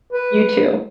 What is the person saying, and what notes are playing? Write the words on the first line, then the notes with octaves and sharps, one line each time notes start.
you too,
B4